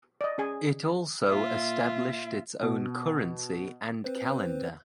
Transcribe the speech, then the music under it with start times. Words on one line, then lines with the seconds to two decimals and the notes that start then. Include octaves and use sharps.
It also established its own currency and calendar.
0.21 D5 D#5
0.38 C#4 G#4 G#5
1.28 A#2 F4 E5
2.63 B2
4.04 C4 B4 C5